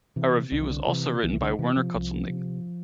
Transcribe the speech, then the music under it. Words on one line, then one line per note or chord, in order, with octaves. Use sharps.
A review was also written by Werner Kutzelnigg.
C3 E3
C2 D3
E3
D3
C3 E3
C2 E3
E3
D3
C3 E3
F3
C2
C3